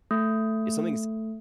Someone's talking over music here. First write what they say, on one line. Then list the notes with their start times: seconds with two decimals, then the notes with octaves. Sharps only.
If something's
0.11 A3